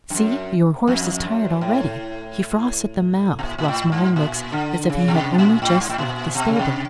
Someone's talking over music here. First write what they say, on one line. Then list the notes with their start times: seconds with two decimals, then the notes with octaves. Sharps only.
See! your horse is tired already, he froths at the mouth, whilst mine looks as if he had only just left the stable.
0.10 G2
0.14 F#2
0.88 F2
1.24 F#2
1.61 A2
3.39 B2
3.43 A#2
3.58 A#2
3.68 A2
3.92 G#2
4.16 A#2
4.52 D3
4.89 C#3
5.08 B2
5.14 C3
5.38 A#2
5.62 A2
5.80 G#2
5.89 A2
5.98 A#2
6.35 B2
6.48 C#3
6.59 C3